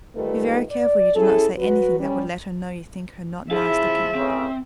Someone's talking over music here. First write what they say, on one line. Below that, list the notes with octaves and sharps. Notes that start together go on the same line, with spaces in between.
Be very careful you do not say anything that would let her know you think her not nice looking.
G#2 D#3 G3 A3 F4 B4
D5
C#4 E4 G#4 A4
F#3 F#4 B4
G3 C#4
E4 G#4 C5 E5 F5
A1 C#3 C4